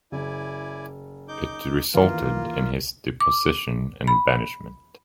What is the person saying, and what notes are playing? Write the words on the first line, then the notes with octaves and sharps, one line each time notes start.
It resulted in his deposition and banishment.
F#1 E4 D5 G#5
D#4 D6 G6
D#2 E3 A#3 F4
D6
B5